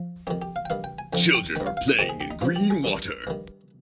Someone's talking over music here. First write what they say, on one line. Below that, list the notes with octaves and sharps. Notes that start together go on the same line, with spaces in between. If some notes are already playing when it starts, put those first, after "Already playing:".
Children are playing in green water.
Already playing: F3
F2 D#3 G4
G4
F5
G5
G2 D#3 F5
G5
G#5
F2 D3 F3 G5
G5
G2 D#3 G5
F5
F5
D#5
G#2 D#3 G4
G#4
G4
D#4
G2 F3 F4
G4
G#4
G2 D#3
G2 D#3